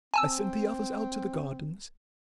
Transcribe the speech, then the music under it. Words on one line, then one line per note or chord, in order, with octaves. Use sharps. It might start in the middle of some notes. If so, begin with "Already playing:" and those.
I sent the others out to the gardens.
C4 G#5 A5 E6